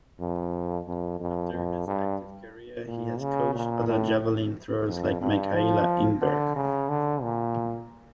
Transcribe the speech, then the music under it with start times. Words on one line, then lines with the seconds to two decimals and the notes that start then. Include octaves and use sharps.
After his active career he has coached other javelin throwers like Mikaela Ingberg.
0.20 F2
0.87 F2
1.20 F2
1.54 F2
1.87 G2
2.88 A#2
3.20 C#3
3.55 A#2
3.88 A2
4.88 F2
5.21 G2
5.55 F3
6.22 D3
6.56 C#3
6.89 D3
7.22 A#2